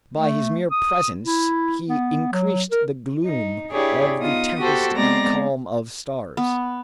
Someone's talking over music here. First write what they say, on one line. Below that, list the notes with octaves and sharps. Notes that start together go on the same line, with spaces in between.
By his mere presence he increased the gloom of the tempest and the calm of stars.
A3
D#6
E4
B3
F#3
A#4
D#4
D4 E4 G4 G#4 C#5 D5
B3 D#4 F4 D#6
F#4 G4 A4 C5
G#3 B3 C4 D5 A#5 A#6
B3